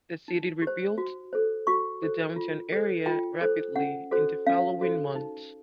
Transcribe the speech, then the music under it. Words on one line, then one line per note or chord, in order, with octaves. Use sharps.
The city rebuilt the downtown area rapidly in the following months.
D#4
G4
C5
F#4
A4 C5
F#4 C#6
A4 C5
F4
A4 C5
F4 G5
A4 C5
C#4 F#5
F#4 A4 C5
C#4 F5
F#4 A4 C5
D#4